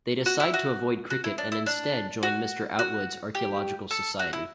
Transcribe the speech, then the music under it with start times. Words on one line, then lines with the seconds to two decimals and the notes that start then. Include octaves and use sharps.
They decide to avoid cricket and instead join Mr Outwood's archaeological society.
0.26 F#4
0.40 E4
0.54 F#4
1.10 F#4
1.24 E4
1.38 D4
1.52 E4
1.66 D4
2.23 F#4
2.79 F#4
3.35 G4
3.91 A4
4.19 F#4
4.33 E4